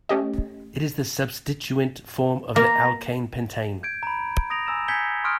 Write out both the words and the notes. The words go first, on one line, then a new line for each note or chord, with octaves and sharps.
It is the substituent form of the alkane pentane.
A3 C#4 G4 D#5
A#3 A#5
G6 G#6 D7
A#5 B5
D#6 A#6 D7 F7
G#5 A#5 E6 A6 E7
G#5 G6 G#6 B6 C#7 G7
C6 C#6 D#6 F6 F#6 D7